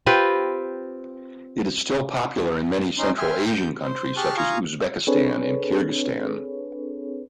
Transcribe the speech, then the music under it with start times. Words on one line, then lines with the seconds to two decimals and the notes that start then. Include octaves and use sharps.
It is still popular in many Central Asian countries such as Uzbekistan and Kyrgyzstan.
0.06 C4 F4 G4 B4
2.99 C#4 D#4 C6
3.18 E5 G5 G#5 C6 F6
3.46 G6
3.83 C5
4.17 G4 G#4 A5 C#6 F6 F#6
4.37 F4 F5 G#5 A#5 C#6 D#6
5.07 C4 D4 G#4 A4 B4 C#5